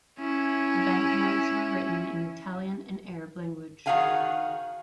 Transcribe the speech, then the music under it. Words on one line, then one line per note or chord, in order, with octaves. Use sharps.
The banknotes were written in Italian and Arab language.
C#4 E4
D#3 F#4 G#4 F5 F#5 G#5